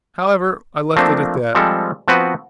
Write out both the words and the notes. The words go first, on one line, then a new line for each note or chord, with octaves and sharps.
However, I left it at that.
F3 A3 A#3 C4 D4
F3 G3 G#3 C4 A4
F3 B3 C4 F#4 B4